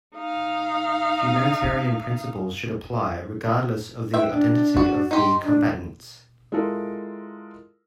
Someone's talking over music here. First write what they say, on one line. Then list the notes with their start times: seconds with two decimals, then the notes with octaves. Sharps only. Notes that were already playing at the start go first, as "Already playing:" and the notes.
Humanitarian principles should apply regardless of the identity of the combatants.
0.16 D#4 F5
4.14 B4 E5 G5
4.32 D4
4.77 F#4
5.11 D#4 G4 C6
5.44 D4
6.52 G#3 E4 F4 A4 A#4